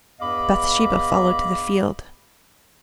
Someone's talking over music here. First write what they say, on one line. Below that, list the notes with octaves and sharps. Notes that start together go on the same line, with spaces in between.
Bathsheba followed to the field.
E2 G2 D#5 F5 B5 D6